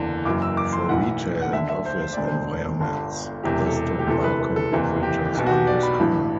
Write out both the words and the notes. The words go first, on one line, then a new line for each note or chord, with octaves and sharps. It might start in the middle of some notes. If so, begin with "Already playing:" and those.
For retail and office environments, desktop barcode printers are most common.
Already playing: F#1 E2 D3
F#1 F#2 E3 D6
E6
D6
C6
B1 A2 E3 F#5
F#5
D2 D3 E5
E5
C5
C5
E1 D2 D3 D5
C5
G1 G2 D3
E1 E2 C3 G4
A4
G4
G4
D2 C3 E3 A4
B4
B4
A4
F#1 E2 C3 E3
G4
B1 B2
F#4
G4
D5
B5
A1 G2 E3